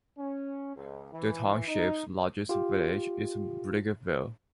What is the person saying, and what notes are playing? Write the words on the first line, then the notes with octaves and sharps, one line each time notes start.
The Township's largest village is Brickerville.
C#4
C#2
E3
D#4
F4 G4